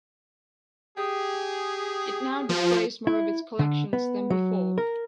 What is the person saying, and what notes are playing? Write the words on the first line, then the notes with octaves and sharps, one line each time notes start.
It now displays more of its collections than before.
G4 G#4
F3
E4
D3
B3
F#3
A#4